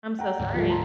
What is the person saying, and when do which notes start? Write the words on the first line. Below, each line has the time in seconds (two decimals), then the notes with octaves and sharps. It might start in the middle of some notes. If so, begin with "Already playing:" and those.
I'm so sorry.
0.19 F#5 G5 A#5
0.40 D1 D2 G#2
0.54 F3 G3 A3
0.69 A5 A#5 C6